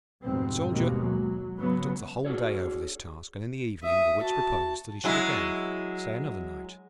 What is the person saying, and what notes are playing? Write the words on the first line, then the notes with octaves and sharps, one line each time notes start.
The Soldier took the whole day over this task, and in the evening the Witch proposed that he should again stay another night.
F1 G#2 B2 C4
D#2 B2 G3 G#3 A#3
F#3
G#2 C#3 F#3 B3
F#4 G#4 A4 C#5
E5 D#6
F#4 A5
F#3 G#3 E4